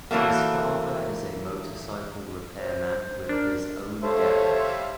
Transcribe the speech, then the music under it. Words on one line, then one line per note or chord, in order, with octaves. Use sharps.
His father is a motorcycle repairman with his own garage.
E3 F#3 A3 A#3
C5
D4 A#4
G3 A3 A4 C5 C#5 E5 F5